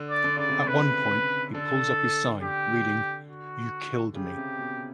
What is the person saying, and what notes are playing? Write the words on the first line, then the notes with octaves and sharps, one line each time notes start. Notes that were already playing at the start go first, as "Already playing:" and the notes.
At one point he pulls up his sign, reading "You killed me".
Already playing: D3
D5
D3
C#3 D5
C3
C#3
B4
D3 A4
D3 G4
F#4
C#3 G4
C3
B2